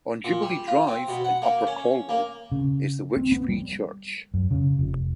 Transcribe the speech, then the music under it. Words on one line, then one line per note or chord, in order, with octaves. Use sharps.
On Jubilee Drive in Upper Colwall is the 'Wyche Free Church'.
A#2
G3
F4
C4
B2
F#5
A#3
C#4
A#3
C#3
C4
B3
G3
F#2
C#3
F1